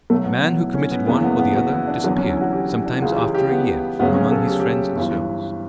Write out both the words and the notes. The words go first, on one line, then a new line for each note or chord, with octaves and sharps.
A man who committed one or the other disappeared, sometimes after a year, from among his friends and servants.
B1 B2 F#3 A3
B3
B3
E4
C#4
B3
F#1 E2 C#3 E3 B3
B3
B3
F#4
E4
D4
E2 D3 F#3 B3
C#4
E4
F#4
G4
E4
D4
C#2 C#3 E3 F#4
G4
G4
B3
D2 C#3 F#3 B3
C#4
A4
G4
G4
G1 G2 E3